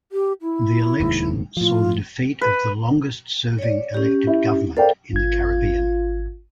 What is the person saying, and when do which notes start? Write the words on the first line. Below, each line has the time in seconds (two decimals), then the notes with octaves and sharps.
The election saw the defeat of the longest-serving elected government in the Caribbean.
0.12 G4
0.42 E4
1.00 F1 D#2 G#2
1.57 A2 F3 F4
2.41 B4
3.59 C#5 D5
3.94 C#4 G4
4.27 E4
4.77 A4 A#4 C5 D5 F5 G5
5.13 G#1 F4 G#6